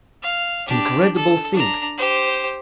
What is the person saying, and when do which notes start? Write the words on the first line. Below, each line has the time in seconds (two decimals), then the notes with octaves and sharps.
Incredible thing!
0.23 F5
0.68 D4 G4
1.15 A4
1.53 D4 A#5
1.97 G4 C5